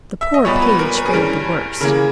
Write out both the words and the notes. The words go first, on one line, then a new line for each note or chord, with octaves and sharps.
The poor page fared the worst.
E5
D#5
A#2 G3 B3 C#5
B4
A#4
B4
G#4
G2 E3 G3 C#4 A#4
C#3 E3 A#3 A#4